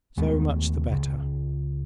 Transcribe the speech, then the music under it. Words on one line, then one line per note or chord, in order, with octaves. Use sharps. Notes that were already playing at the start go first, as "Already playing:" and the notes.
"So much the better."
D#2 G#3 A3 B3
C#2